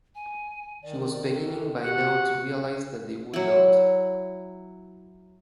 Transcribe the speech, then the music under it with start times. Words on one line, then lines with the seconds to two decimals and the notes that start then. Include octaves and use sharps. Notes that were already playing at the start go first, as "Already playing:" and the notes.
She was beginning by now to realise that they would not.
0.15 G#5
0.82 D#3 D5
1.33 A4
1.83 F#4 G4 F#5
3.33 F#3 E4